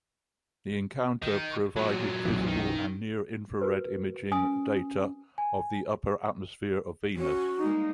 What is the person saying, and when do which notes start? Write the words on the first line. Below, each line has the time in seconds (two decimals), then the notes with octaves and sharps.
The encounter provided visible and near-infrared imaging data of the upper atmosphere of Venus.
1.22 D#3
1.76 A#2 F#3
2.25 B1 F#2 E3
2.47 D#3
3.61 F#4 A#4 B4
4.32 C#4 G#5 D#6
5.38 G#5
7.16 C#4 F#4
7.59 G3 G#3 A#3 D#4